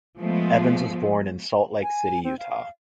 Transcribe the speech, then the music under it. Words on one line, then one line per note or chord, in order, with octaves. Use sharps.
Evans was born in Salt Lake City, Utah.
F3 G#3 A3 B3
G#5
C4
F5